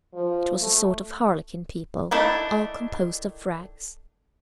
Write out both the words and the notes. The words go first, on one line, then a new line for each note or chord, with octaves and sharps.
It was a sort of harlequin people, all composed of rags.
F3
A3
D#3 A3 D4 E4